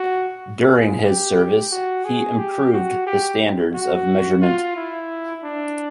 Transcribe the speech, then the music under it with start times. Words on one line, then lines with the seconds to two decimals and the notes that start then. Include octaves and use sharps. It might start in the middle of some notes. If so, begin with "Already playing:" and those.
During his service, he improved the standards of measurement.
Already playing: F#4
0.69 G#4
1.04 G4
1.71 F#4
2.05 G#4
2.39 G4
2.73 F#4
3.07 G4
3.74 F#4
4.42 F4
4.76 E4
5.43 D4